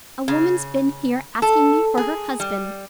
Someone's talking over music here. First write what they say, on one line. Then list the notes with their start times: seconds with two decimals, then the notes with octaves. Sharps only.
A woman's been here asking me for her husband.
0.28 C#3
1.42 A4
1.97 G#4
2.40 G3